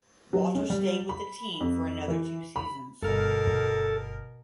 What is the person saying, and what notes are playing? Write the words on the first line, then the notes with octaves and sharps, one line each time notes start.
Walter stayed with the team for another two seasons.
F#3
C#4
G3
B5
F2
E3
B5
G1 B2 A4 A#4 F6